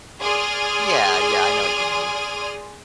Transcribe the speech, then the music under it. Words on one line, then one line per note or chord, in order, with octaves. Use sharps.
Yeah, yeah, I know what you mean.
G#4 D5 G#5 C6 D#6 F6